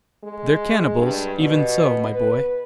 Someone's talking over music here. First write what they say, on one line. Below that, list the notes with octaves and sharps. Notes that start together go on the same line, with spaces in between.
"They're cannibals even so, my boy."
G#3
G2
B2
B4